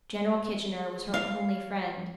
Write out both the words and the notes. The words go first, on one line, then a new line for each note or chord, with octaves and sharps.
General Kitchener was her only friend.
G#4
C#5 F5